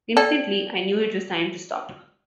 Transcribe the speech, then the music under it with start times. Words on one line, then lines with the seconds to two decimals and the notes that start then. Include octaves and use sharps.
Instantly I knew it was time to stop.
0.17 A4 D5 G5